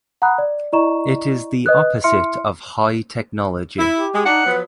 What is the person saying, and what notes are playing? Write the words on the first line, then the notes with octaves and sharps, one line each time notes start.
It is the opposite of high technology.
F#5 A#5 B5 D#6 F#6
D5
E4 D5 D#5 A#5 C#6 E7
B4 D#5 D#6 F#6
E4 E5 C6 F6 C#7
E4
G4
G#3
D4 D#4 F#5
F3 F#3 B3 B4